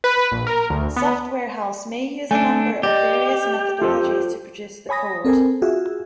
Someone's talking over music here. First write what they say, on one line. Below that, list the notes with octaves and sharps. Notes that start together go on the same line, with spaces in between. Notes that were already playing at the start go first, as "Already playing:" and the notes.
Software house may use a number of various methodologies to produce the code.
B4
A#1
A#4
D2
B3
A3 D4 G#5
G4 D5 D#5
F4 A4 C5
C#5 G#5 B5 D#6 A#6
C4 A4 A#4 C5 G#5
F4 F#4 G#4 E5